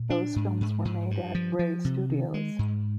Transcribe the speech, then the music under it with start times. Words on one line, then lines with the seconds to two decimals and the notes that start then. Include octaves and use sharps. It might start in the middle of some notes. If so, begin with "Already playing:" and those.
Those films were made at Bray Studios.
Already playing: A#2
0.10 D4
0.36 G#2
0.61 G#2
0.85 G#2
1.11 G2
1.35 F3
1.59 F3
1.85 C3
2.10 D#3
2.34 G#3
2.59 G#2